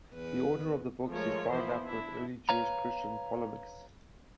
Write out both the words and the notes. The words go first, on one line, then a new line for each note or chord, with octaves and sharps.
The order of the books is bound up with early Jewish-Christian polemics.
E2 B4
F3 G#3 A3 F4 A#4 C#5
E3 F3 B3 E4 C5
D4 E4
B4 C#5 F5 A#5